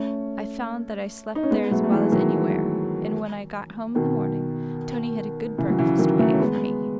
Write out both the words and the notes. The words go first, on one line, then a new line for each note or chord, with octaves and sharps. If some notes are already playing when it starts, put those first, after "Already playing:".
I found that I slept there as well as anywhere, and when I got home in the morning, Tony had a good breakfast waiting for me.
Already playing: A3 C#4
D#4
C#4
G#3 B3
F#3 A3
A3
E3 G#3
D#3 F#3
B2 D#3
C#3 E3
F#3
C#3 E3
D#3 F#3
F#3 A3
C#4
G#3 B3